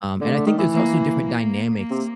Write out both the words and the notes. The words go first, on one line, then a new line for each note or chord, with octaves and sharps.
um, and I think there's also different dynamics,
D3 A3
D3
D#3
E3
A#3
A#3
A#3
C3